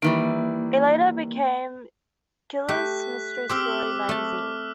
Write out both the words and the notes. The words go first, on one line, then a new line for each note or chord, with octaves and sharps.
It later became "Killers Mystery Story Magazine".
D#3 E3 G3 A#3
A3 G4 F#6 B6
C4 G4 C5 D6 E6 F6
A3 A5